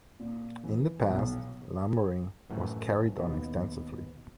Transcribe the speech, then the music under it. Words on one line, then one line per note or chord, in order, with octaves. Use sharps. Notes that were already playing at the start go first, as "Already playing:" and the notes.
In the past, lumbering was carried on extensively.
A#2
E3
B1
F#2 A2 E3
D#2 B2